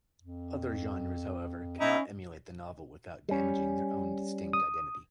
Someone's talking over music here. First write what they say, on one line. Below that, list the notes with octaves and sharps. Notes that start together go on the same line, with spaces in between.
Other genres, however, cannot emulate the novel without damaging their own distinct identity.
F2
C#4 D#4 E4
G3 C#4
D#6